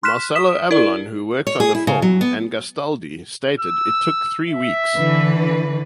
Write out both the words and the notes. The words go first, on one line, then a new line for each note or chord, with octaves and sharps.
Marcello Avallone who worked on the film and Gastaldi stated it took three weeks.
C6 F6 F#6 B6 E7
D#6 B6 E7
E4 A#4 D5
C#5
G#4
E4
C#3
F#3
B3
E6
E5
D3 E3 B4